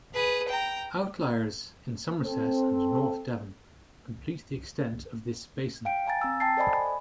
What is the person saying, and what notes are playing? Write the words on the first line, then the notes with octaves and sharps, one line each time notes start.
Outliers in Somerset and north Devon complete the extent of this basin.
G#4 B4
G5 A#5
C4 A4
F5 G5 D7
F5 G#5 A#5 A6
C4 A#5 E6
G5 A5 A6 C7
A4 C5 D5 D#5 G#5 B5
B5